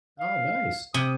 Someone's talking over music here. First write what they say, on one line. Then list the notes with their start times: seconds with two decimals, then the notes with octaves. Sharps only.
Oh, nice.
0.20 F5
0.94 C3 D#6